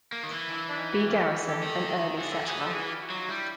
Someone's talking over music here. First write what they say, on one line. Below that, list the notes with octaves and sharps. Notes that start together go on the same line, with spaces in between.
B. Garrison, an early settler.
A#3
D#3
E3
D4 E4
D4
C#4 D#4
E4 F#4
F4 G4
E4 F#4
F#4 G#4
G4 A4
D#3
D3 F#4 G#4
G4 A4
E3 F#4 G#4
G4 A4
F3
E3 F#4 G#4
F4 G4
E4 F#4
F#3 D#4 F4
G3 D4 E4